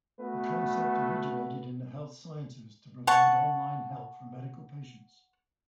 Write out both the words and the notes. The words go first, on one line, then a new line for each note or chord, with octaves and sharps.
The concept originated in the health sciences to provide online help for medical patients.
A3 B3 F#4 B4
F#5 A5 C#6